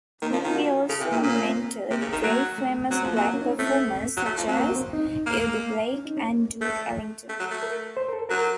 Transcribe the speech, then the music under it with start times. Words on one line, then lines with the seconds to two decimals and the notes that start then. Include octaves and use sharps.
He also mentored very famous black performers such as Eubie Blake and Duke Ellington.
0.22 D#3 A#3
0.31 C4
0.33 F3
0.39 C#4
0.44 D#3 F4
0.55 F#4
0.89 C#3 A4
1.01 C3
1.12 A#2 A#3
1.23 A#2 C4
1.35 C#4
1.45 C4
1.56 A#3
1.91 C3 A#3
2.02 C#3
2.12 D#3
2.24 F#3 A#3
2.58 A3
2.91 F#3 C4
3.03 F3 C4
3.14 A#3
3.16 F#3
3.25 A#3
3.33 C#4
3.42 D#4
3.50 C#4
3.59 A3 C4
4.17 F#3
4.25 A3
4.37 F3
4.47 F#3 C4
4.60 A#3
4.76 C4
4.93 D#4
5.26 A#3
5.94 C#4
6.05 D#4
6.17 C#4
6.28 A#3
6.61 A3 A4
7.29 A3
7.40 F#3
7.51 A3
7.62 A#4
7.97 C5
8.08 A#4
8.13 A4
8.29 F#3 A#4